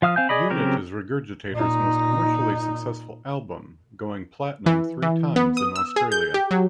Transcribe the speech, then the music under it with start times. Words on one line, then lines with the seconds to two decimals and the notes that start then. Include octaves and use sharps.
"Unit" is Regurgitator's most commercially successful album, going platinum three times in Australia.
0.02 F3 F5 D#6 F6
0.16 C4 F5 G#5 G6
0.29 G#4 D5 D#5 B5
0.50 C#3 F#3 C4 G4 A#4
1.52 A#2 D#4
4.66 E3
5.02 E3
5.36 B3
5.57 D#6
5.76 E6
5.96 G#4
6.12 G6
6.34 G4
6.51 F#3